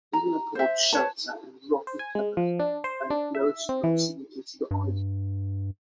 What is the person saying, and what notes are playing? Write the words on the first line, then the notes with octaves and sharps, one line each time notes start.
Inner Port Shelter and Rocky Harbour are in close proximity to the island.
A#5
C5 E5
B4 C#5 A5
C5
G#5
G#3
F3
D4
C5
D4
E5
C4
E3
G2